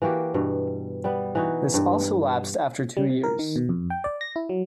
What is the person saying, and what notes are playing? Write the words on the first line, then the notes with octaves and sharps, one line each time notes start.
This also lapsed after two years.
E3 A#3 F#4 G4
G2 B2
G3 B3
E3 D#4 F#4
G2
G3
C3
A#4
D#3
B2
F2
G5
D5
A#6
E4
F#3